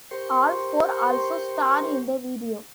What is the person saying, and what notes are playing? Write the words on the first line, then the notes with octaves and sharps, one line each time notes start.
All four also star in the video.
G4 A#4 C5 G5 C6 C#6